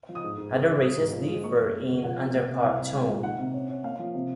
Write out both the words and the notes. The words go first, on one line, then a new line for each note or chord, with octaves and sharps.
Other races differ in underpart tone.
F3
D#6
G#2
G#2
C#3
C#3
F#3 D#6
G#2
F3
G#3
A#3 C#6
F#2
G#3
C#3
F3 F#5
C4
A#3
C3
C2 F5
C2
G#3
A#2
D#3 F#5
C3
C#4
C#4
A#3 F5
F3
C3